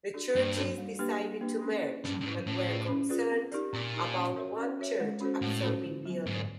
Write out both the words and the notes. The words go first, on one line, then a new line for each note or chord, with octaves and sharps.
The churches decided to merge but were concerned about one church absorbing the other.
D4 F#4 A4 D5
G2 A#3
D4 F#4 A4 D5
G3
A#3 D4 G4 B4
G3
A#3 D4 G4 B4
C#4
E4 G#4 B4
G2 C#4
G2
G#2 E4 G#4 B4
A2 C#4
F4 G#4 B4 D5
C#4
F4 G#4 B4 D5
C4
D#4 G4 A#4 D5
A#2 C4
D#4 G4 A#4 D5
C#4
F#4 A#4 C#5 E5
C#4
F#4 A#4 C#5 E5
G#3
C#4 F#4 A4 C5
A2 G#3
C#4 F#4 A4 C5
D3
F#3 B3
G#2 D3